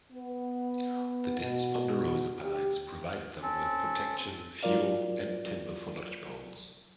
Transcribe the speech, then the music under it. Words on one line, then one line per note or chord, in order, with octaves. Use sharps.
The dense Ponderosa Pines provided them with protection, fuel, and timber for lodgepoles.
B3
B2
G4
C4 C#4 A4
F#3 F4 A#4 D5 F5